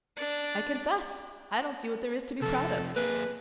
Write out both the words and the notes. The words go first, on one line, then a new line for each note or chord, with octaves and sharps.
'I confess, I don't see what there is to be proud of.
D4 D5
C3 F3 A4
A#3 G#4 B4